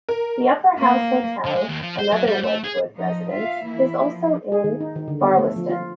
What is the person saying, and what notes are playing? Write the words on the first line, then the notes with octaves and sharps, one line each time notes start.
The Upper House Hotel, another Wedgwood residence, is also in Barlaston.
A#4
A#3
D3
G#3
D#2
F3
C5
F#3
G3
A3
G#4
F3 D#4 D#5
F4 E5 F5
E3 A#3 E4
F3
G#4
D#3
D#4
D#3
D3
B3
A3
F3
F4